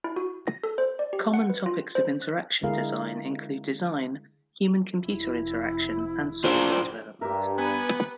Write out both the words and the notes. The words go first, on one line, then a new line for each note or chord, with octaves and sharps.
Common topics of interaction design include design, human-computer interaction, and software development.
E4
F#4
A#6
A4
C5
D5
G4
F#5
B4
F4
C5
F#6
D3 G#3 E4 G#4 A#4 F5
F1 E4
F4 C5 D5
G2 G4 A#4 E5
B3 B4 G#5 B5 E6